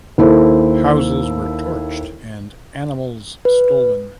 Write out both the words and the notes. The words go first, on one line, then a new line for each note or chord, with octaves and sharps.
Houses were torched and animals stolen.
D#2 E4 A4 C5
B4